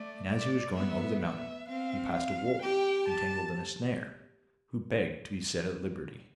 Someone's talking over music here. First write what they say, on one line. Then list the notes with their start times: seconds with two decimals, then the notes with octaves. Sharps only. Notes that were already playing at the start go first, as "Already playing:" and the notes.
And as he was going over the mountain he passed a wolf entangled in a snare, who begged to be set at liberty.
Already playing: A3 D5
0.29 D5
0.75 B3 E5
1.23 E5
1.68 C4 F5
2.15 F5
2.62 G4 G5
3.08 A5